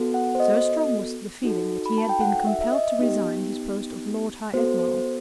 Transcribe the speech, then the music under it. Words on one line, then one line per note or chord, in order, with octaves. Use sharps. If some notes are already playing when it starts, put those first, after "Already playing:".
So strong was the feeling that he had been compelled to resign his post of Lord-High-Admiral.
Already playing: B3 F#4 A4
F#5
C5
D#5
D#4 F#4 A4
B5
A5
G5
F#5
E5
E5
D#5
B3 D#4 G4
B3 F#4 A4 C5
C5